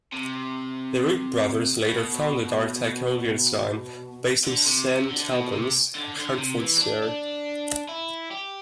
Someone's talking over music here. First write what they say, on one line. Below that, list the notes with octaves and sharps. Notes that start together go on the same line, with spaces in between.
The Ripp brothers later founded R-Tec Auto Design, based in Saint Albans, Hertfordshire.
C3
B2
D3
C3
C3
D3
B2
C3
D3
D3
C3
E3
D4
D4
E4
G4